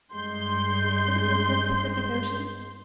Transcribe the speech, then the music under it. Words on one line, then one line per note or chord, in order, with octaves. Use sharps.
"Isn't this the Pacific Ocean?"
G2 G#3 C6 G6